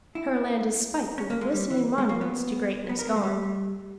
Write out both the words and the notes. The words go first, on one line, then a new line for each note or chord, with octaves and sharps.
Her land is spiked with glistening monuments to greatness gone.
E4
C#4
A#3
G#3
G3
E3
G#3
A#3
B3
B3
A#4
B3
G#3
G3